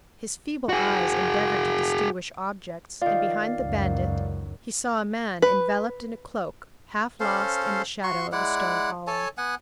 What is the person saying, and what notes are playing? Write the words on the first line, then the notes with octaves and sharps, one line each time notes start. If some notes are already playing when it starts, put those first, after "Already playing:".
His feeble eyes endeavored to distinguish objects, and behind the bandit he saw a man enveloped in a cloak, half lost in the shadow of a stone column.
F#4 G#4
D#3 F4 D5 F5
C#2 F#2
B4
C#4 A4 C5 F5
F#4 C6 C#6
G#3 E4 D5 F#5
A4 C#5 G#5 A5
B3 F#5 G#5